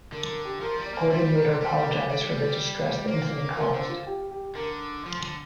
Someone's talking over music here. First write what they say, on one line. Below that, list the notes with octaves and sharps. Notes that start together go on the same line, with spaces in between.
Gordon later apologised for the distress the incident caused.
D3 A#4
A#4
G4
F3 A#4
G3
D5
A#3
G3 C5
A#4
G3 C5
D5
G3
A#3 C5
D5
F3 A#4
D3 C5
F4
G4
G4
D3 A#4
F3
D3